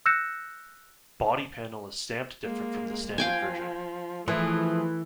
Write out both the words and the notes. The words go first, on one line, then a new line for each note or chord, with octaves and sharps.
Body panel is stamped different from the standard version.
E6 F#6 G6 A#6 C#7 E7
G#3 A#3
F3 F5 G5 G#5
E3 F3 A3 G#4